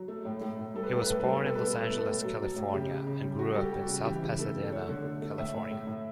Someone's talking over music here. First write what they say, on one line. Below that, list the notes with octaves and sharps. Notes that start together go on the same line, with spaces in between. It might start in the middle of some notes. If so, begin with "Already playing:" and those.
He was born in Los Angeles, California and grew up in South Pasadena, California.
Already playing: F#3
A3
A2
A2
A2
G3 A4
B4
A2 A4
B4
A2 A4
B4
G3 A4
B4
B2 A4
A3 B4
A4
A3 B4
A4
B2 B4
A4
A2
F#3
F#3
A2
C#3 G4
C#3
C#3
G3
G3 F#4
G3 A4
G4
G3
F#4
C#3
E3 G4
C#3
A3 A4
A3
A3 C#5
D3
A3
A3
A2 E5
A2
A2
A2